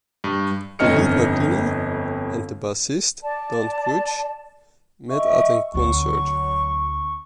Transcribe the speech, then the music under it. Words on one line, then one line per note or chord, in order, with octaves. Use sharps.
The lead, Martina, and the bassist, Dan Kurtz, met at a concert.
G2
G1 F2 C#4 D#5 F6 C#7
D5 A5
D#5 E5 C#6
D2 F#3 C4 C#6